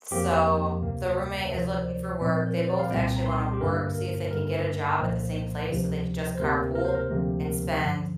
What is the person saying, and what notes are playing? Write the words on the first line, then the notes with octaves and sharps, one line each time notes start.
So, the roommate is looking for work, they both actually wanna work see if they can get a job at the same place so they can just carpool and spend
F2 F3 A#3 G4
D2 C3 A#3
D2 C3 F3 A#4
C5
D5
A#2 F3 C4 D5
A#4
C5
D5
F5
C2 A#2 G3 C4 G5
A#5
C6
G4
G2 D3 A#3 A#4
A#4
G2 D3 A#3 A#4
C2 A#2 F3 A#3 C5
D2 C3 F3
C5
D2 C3 A#3 A#4
A#4
C5
A#4
D2 C3 F3 A#3
A#4
G2 D3 F3